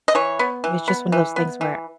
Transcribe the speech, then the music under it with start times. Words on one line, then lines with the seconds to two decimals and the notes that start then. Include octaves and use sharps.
it was just one of those things where
0.08 D#5
0.15 E3 C#5
0.39 B3
0.64 E3
0.88 B3
1.12 E3
1.36 B3
1.61 E3